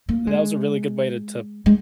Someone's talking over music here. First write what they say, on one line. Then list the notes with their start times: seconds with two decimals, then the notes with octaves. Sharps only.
that was a really good way to to
0.09 A#3
0.27 G#3
1.66 G#3